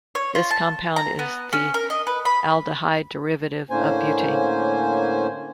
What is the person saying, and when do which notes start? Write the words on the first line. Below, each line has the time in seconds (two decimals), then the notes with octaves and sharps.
This compound is the aldehyde derivative of butane.
0.15 C#5
0.35 F4
0.51 A5
0.96 A#5
1.19 B3
1.53 C#4
1.74 A#4
1.90 D#5
2.07 B4
2.25 B5
3.70 A2 D3 A#3 C#4 C5 G#5